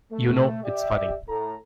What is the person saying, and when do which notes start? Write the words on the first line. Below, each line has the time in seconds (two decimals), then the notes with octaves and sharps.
You know, it's funny.
0.12 A3
0.63 G4 D5 E5
1.29 A2 A4 A#5